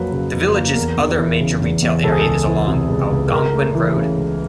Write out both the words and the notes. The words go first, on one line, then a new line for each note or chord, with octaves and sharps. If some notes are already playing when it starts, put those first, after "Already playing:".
The village's other major retail area is along Algonquin Road.
Already playing: F2 F#3 A#3 A#4 B4
C#3
F2
A#3
E2 A#4
E2
E3
C#3
E2
E2
C#2 A4
G#4
A4
C#2
E3
C3
C#2
C#2
C#2 A#4
A3
E3
C#3
C#2